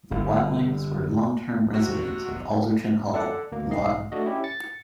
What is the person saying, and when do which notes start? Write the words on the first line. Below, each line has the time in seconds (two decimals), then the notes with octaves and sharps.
The Watlings were long-term residents at Alderton Hall, Loughton.
0.11 G1
1.74 C3 F#4
1.87 D#2
1.99 A1
2.15 G#3
2.31 F1 B1 C#3
3.14 A4 D5 F#5
3.52 D2 A#3
3.70 B1 G#2 D#5 C7
4.12 A3 D4 F#4 D#5
4.26 C#4 E4 G4
4.44 A6 C#7